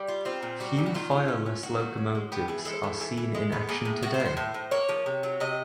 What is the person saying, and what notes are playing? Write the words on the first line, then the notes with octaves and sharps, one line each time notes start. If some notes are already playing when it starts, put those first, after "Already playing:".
Few fireless locomotives are seen in action today.
Already playing: G3
F4
C4 F4
A#2
G3 F#4
A#2 G4
F#4
D#3 F4
D#3
C#4
C#4
D#3 F#4
D#3
C#4
G#3
B3 G4
E3 G#4
G#3 A4
E3
E3
E3
G#3
B3
A#3 G#4
A2
A2 F#4
C5
A2
C5
A2 C5
A2
A#3 C#5
F3
C3
F#3
C3 D#5